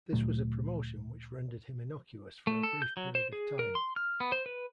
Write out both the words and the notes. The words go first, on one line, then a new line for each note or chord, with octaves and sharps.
This was a promotion which rendered him innocuous for a brief period of time.
D2 A#2 F#3 A3
A3
A4
G6
F#3
C5
G#4
A#4
C6
F6
B3
C5
B4